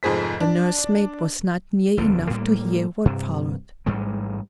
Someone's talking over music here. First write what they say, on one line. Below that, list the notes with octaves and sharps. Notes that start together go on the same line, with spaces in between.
The nursemaid was not near enough to hear what followed.
F1 F2 G#2 G#4 C5 B6
D4
F#1 E2 D3
A2 G3 A#3
G2 C3
A1 G#2 G3 G#3